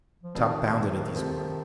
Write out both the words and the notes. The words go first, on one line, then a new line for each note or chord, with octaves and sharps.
Top bounded at these words.
F3
F2 C3 D#3 F3 C4 D#4
C3 F3 A3 C4 G4